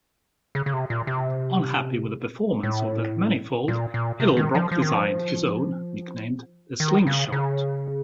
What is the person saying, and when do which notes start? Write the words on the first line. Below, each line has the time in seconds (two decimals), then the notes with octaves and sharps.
Unhappy with the performance of that manifold, Edelbrock designed his own, nicknamed "The Slingshot".
0.55 C#3
0.66 C#3
0.73 C3
0.90 A#2
1.07 C3
2.63 A2
3.68 A#2
3.94 A#2
4.20 C3
4.37 D#3
4.55 F3
4.71 F3
4.82 D#3
4.94 F3
6.80 D#3
7.07 C#3
7.32 C#3